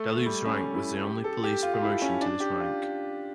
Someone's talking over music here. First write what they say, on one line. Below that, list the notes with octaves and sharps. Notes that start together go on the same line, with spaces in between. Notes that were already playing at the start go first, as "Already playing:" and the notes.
Daluege's rank was the only police promotion to this rank.
Already playing: A3
G3
C#4
E4
G4
A4
G4
F4
F4
E4
C#4
D4
G4
F4